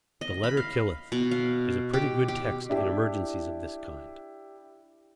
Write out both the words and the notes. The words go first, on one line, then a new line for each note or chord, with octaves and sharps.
"The letter killeth" is a pretty good text in emergencies of this kind.
D#5
B5
F5
B2
F5
G4
G4
D4 E4 G4